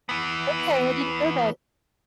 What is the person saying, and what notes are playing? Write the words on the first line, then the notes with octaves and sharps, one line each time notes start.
Okay, I didn't know that.
E3 B3